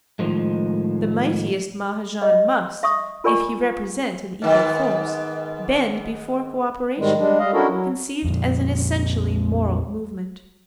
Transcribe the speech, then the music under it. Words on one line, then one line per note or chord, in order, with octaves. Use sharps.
The mightiest Mahajan must, if he represent an evil force, bend before co-operation, conceived as an essentially moral movement.
A2 D#3 F3 G#3
D#5
E5 C#6 D#6
F4 A#4 D5 G#5 C#6
G#2 D#3 B3
G#2 D#3 G3 G#3
G3 G#3 D4
G3 D#5 F5
C#4 D4 E4 F#4 A4 A#4
F#3
F2 A#2